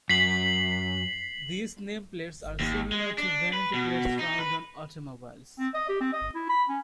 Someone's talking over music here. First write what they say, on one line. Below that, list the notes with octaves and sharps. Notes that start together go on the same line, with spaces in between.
These nameplates are similar to vanity plates found on automobiles.
F#2 B6 C7 F#7
D#2
G#3
D4
B4
B2
D#4
B4
C4
D#5
G4
C4
D#5
E4
B5
C#4